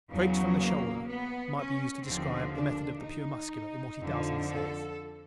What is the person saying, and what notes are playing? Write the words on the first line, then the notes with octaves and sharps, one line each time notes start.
"Straight from the shoulder" might be used to describe the method of the pure Muscular in what he does and says.
E2 C#3 F#3
A#3
B3
C#4
D#2 D3 F3 C4
D4
D#4
F2 D3 F3
A4